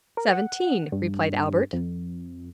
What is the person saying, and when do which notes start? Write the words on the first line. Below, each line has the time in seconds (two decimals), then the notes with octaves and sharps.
"Seventeen!" replied Albert.
0.17 A#4
0.33 F#5
0.92 G2
1.73 F2